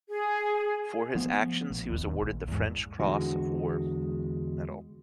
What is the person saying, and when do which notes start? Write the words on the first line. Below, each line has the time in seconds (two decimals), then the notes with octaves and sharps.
For his actions, he was awarded the French Cross of War medal.
0.08 G#4
1.15 F3 A3 B3
1.70 A#1
1.90 D1 D#2
2.09 D#2
2.22 A#1
2.48 E2 G#2
2.99 E2 D3 G#3 F#4